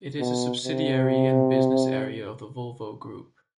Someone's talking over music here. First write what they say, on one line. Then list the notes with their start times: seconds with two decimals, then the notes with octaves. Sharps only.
It is a subsidiary and business area of the Volvo Group.
0.19 B2
0.65 C3